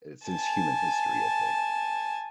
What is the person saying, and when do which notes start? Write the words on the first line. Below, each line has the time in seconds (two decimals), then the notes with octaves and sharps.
eh, since human history, I think.
0.25 G#5 A5